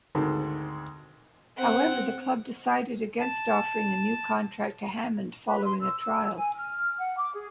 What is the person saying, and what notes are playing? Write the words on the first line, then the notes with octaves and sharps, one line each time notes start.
However, the club decided against offering a new contract to Hammond following a trial.
D2 G#2 D#3 G#3 C4 A4
C4 F#5
A5
B4
C6
E6
E6
G#5
F6
F#5
D6
G#4